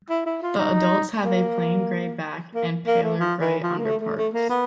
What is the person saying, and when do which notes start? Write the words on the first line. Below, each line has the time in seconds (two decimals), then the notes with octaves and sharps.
The adults have a plain grey back and paler grey underparts.
0.10 E4
0.26 E4
0.43 F4
0.59 D#4
1.24 A#3
2.55 A#3
2.87 A#3
3.03 A3
3.20 F3
3.41 E3
3.63 F3
3.78 A#3
3.84 A3
4.01 A3
4.17 A3
4.34 A#3
4.50 B3